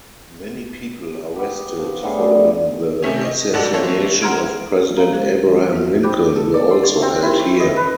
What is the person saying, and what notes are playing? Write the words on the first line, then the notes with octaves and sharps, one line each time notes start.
Many people arrested following the assassination of President Abraham Lincoln were also held here.
B3 G4
F3
A2 D3 G3 G#4
C3 D#3 A3 C#4
D#5
G#2 F#4 A4 D5 D#5
E3 A#3 C4 A4 C#5
F#5 A#5 C6 F6 G#6 D7
C#4 F5 A#5
G#3 G4 C5
D#3 G#3
B3 F#4
C5 G5 B5 D6 F#6 G6
A4
D5
C6
C#5
C4
E4
C#5
D#5
B4